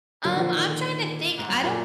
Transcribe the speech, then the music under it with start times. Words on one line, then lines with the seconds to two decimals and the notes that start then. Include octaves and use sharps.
Um, I'm trying to think, I don't
0.25 A#2 D3 F#3
0.36 D#3
0.40 F3
0.56 D#3
1.38 G#2
1.48 F#2
1.64 A#2